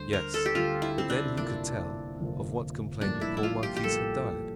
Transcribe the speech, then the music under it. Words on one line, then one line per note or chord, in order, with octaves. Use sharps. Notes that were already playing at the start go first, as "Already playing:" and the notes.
"Yes; but then he could tell of what complaint the poor marquis had died."
Already playing: D2 D3 G3 C5
A#4
A4
G4
D2 D3 G3 F4
E4
C4
D4
G1 F2 C3 F3 A#3 D4
G1 F2 C3 F3 A#3
A#1 A2 G3 A#3 D4
E4
E4
F4
G4
G4
A#1 A2 G3 A#3 A4